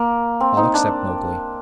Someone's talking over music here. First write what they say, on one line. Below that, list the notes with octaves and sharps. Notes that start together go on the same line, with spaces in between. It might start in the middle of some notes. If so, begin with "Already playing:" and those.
All except Mowgli.
Already playing: A#3
C4
D#4
D4